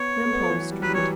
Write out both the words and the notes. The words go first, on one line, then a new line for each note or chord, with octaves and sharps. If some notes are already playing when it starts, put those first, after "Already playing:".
Wimpole Street.
Already playing: B3 C#5
B3
A3
B3
A3
E3
F#3
G3
F#3 B4
G3
E3 C#5